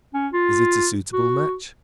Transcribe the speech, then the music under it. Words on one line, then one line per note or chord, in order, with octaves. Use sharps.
"Is it a suitable match?"
C#4
F4
F#4